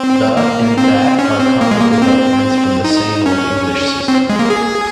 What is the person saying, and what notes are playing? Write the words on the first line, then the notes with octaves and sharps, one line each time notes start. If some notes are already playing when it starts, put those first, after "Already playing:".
"The" and "that" are common developments from the same Old English system.
Already playing: C4
A#3
C4
C#4
C4
A#3
G#3
A#3
A#3
C4
D#4
C#4
C4
G#3
A#3
G#4